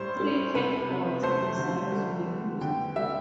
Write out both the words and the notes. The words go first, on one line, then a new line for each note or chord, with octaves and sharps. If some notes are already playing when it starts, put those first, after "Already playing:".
Three headboard designs were used.
Already playing: A2 G3 C5
G3
C3 B4
C3
A3 C5
D3
G3
B3
D3 G5
G3 E5